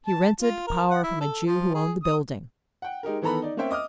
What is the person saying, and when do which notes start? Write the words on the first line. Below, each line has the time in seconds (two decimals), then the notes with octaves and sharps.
He rented power from a Jew who owned the building.
0.06 A5
0.41 F4
0.67 A#4
0.91 F#5
1.03 E4
1.20 A4
1.46 F3
1.74 G#4
2.04 D#6
2.82 F#5 G5
3.03 G#3 D#4 G4 A#4
3.22 D#3 E3 B3 A4 A#5 B5
3.42 D#4 D5
3.57 A#3 C4 C#4 C5 E5 G5
3.71 D#5 D6 D#6 F6